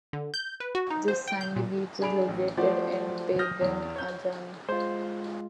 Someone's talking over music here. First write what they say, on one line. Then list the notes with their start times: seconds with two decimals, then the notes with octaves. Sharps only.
This sandy beach is located in Bagan Ajam.
0.13 D3
0.34 G6
0.60 B4
0.75 F#4
0.90 D#4
1.08 C5
1.28 G5
1.41 G6
1.56 A#2
2.01 D4 G#4 B5 D7 F7
2.28 A1
2.57 F3 A3 F#4 G4 C5 D5
3.39 D#6 F6 G6 A#6
3.61 E2
3.96 C#5 G6
4.69 G#3 F4 C5